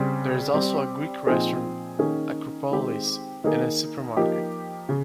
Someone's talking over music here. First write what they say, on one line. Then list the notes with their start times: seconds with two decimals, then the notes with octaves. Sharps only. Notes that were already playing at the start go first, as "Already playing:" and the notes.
There is also a Greek restaurant "Akropolis" and a supermarket.
Already playing: C#3 G3 C4
0.54 G3 C4 G4
1.27 A#2 F3 C4 D#4 G#4
1.99 D#3 A#3 C#4 G#4
2.71 D#3 G#3 C4 G4
3.44 D#3 A#3 D#4 G#4
4.17 F3 A#3 D#4 G4
4.89 C#3